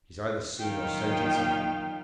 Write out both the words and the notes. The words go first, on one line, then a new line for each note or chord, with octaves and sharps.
He's either seen or scented something.
F#2 A#2 D#3 F5 G5